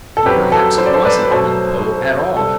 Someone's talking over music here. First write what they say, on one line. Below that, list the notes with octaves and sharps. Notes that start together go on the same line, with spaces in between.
And perhaps it wasn't under the pillow at all....
A4
F#2 F#3 C4 G4 B4
A4
C5
D5
A4 C5
B4 D5
B4
B2 F#3 A3 A4 C5
C3 G3 D4 A4